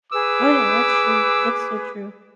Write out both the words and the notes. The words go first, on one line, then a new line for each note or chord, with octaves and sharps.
Oh, yeah, that's true. That's so true.
G#4 B4 D6 E6